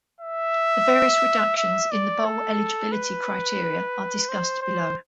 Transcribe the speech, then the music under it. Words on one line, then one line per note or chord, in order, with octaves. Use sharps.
The various reductions in the bowl eligibility criteria are discussed below.
E5
E5
D5
A4
B4
C5
C5